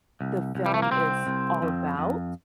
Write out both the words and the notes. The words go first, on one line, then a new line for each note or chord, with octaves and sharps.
the film is all about.
C2
C2
G3
A3
A#3
C2 C4
C2
F2
F2